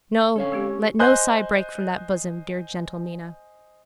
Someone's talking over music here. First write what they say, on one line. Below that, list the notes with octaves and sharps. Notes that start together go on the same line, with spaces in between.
No, let no sigh break from that bosom, dear gentle Mina.
C#4 A4 C#5 F5
G#3 C4 G4
C5 D#5 G#5 C6 F#6 G6